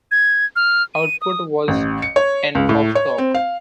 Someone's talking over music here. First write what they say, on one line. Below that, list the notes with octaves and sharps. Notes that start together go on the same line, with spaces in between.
Output was and of torque.
G#6
F6
D#7
D#6
A1
C#7
C#5
C#2
A2
C#5
C4
F5